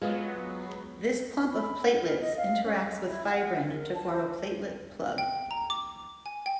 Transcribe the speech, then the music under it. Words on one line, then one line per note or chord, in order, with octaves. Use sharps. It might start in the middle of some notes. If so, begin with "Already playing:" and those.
This clump of platelets interacts with fibrin to form a platelet plug.
F#3 G#3 B3 F4 B4 D#5
B5
F#5
A#4
D#5
F5
C#4
G#3
E4
F#5
A#4
A5
C5
G5
A#5
D6
G#5
G5